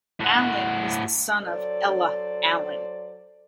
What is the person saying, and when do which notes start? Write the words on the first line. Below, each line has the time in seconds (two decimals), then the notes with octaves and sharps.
Allen is the son of Ella Allen.
0.20 A2 F#5
1.43 F#3 A4 C5 D5